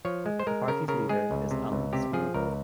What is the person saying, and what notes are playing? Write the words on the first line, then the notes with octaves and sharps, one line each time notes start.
The party's leader is Allen Small.
F3 C#5
G#3
C5
G#3 A#4
C#3 A#4
C#3 A#4
G#3 G#4
C#2
C3
C#2
C3 G4
F3 G#4
C#2 A#4